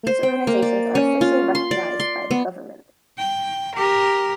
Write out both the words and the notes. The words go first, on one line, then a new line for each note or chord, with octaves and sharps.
These organizations are officially recognized by the government.
C5
G5
A#3
D5
C#4
F4
C6
D5
C6
B3
G5
G4 A#4